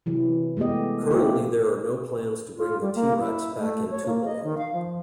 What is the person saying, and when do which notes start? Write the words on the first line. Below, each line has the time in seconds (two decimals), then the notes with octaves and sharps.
Currently there are no plans to bring the T-Rex back in Tupelo.
0.06 C3 E3 F#3
0.57 G#3 A3 B3 G4 D#5
1.11 A#3 E4 F#4 G4 A4
2.57 F4
2.81 G3
2.95 A#3
3.20 E4
3.59 A3
3.90 C#5
4.06 A#3
4.25 D#5
4.44 D#3
4.58 F5
4.73 F3